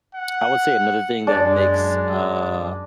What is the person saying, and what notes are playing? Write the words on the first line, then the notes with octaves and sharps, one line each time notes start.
I would say another thing that makes, uh,
F#5
F#2 G#3 D4